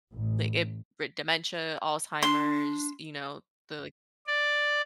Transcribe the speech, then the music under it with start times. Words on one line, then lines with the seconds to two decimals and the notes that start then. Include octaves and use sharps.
like, it for dementia, Alzheimer's, you know, the, like
0.11 A1
2.22 D4 C6
4.27 D5